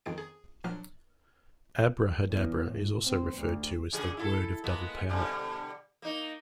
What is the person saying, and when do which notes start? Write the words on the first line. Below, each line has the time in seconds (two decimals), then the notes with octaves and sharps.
"Abrahadabra" is also referred to as the "Word of Double Power".
0.06 G1 F2 D#3 G#4 D7
0.18 G#4
0.64 A#2 F3 F#3 D4 F6
2.30 E2
2.66 A2
3.07 C4
3.37 D2
3.92 A#2 C#3 G#4
4.17 E4 F4 A4
4.64 G#3 A#3 B3
5.09 B2 D3 G3
6.02 A#3 D#4